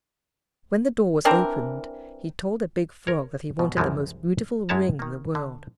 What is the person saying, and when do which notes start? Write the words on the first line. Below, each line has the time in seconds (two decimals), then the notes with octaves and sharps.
When the door was opened, he told the big Frog that he wanted the most beautiful ring in the world.
1.25 E3 C4 D4 A#4
3.07 A#4 C#5
3.59 G#2 B2
3.77 C2 F#2 E3 F3 G#3
4.69 F#2 G#3 E4 C#5 A5 A#5
4.99 D#3 A#3
5.35 D3